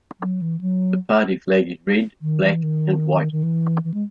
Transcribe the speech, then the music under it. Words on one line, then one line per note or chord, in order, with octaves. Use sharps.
The party flag is red, black and white.
F#3
E3
F#3
D#3
E3
D#3
D#3
E3
E3
G#3